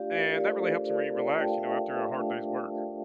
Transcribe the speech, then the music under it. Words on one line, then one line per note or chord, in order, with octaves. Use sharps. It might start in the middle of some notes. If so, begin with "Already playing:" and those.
And that really helps me relax, you know, after a hard day's work.
Already playing: A3 D4 F4 G4 D5 F5
G4 A#4
D5
A3 D4 F4 A4 C5
A#4 D5
A3 D4 F4 A5
G5
F5
E5 G5
A3 D4 F4